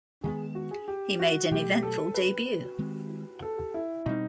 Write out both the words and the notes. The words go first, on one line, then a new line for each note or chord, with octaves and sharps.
He made an eventful debut.
D#3 G#3 B3 G#4
F#4
G#4
G4
F#4
B2 F#3 A3 G4
A4
B4
D#3 G#3 C4
A4
E4
B2 G3 C4 D#4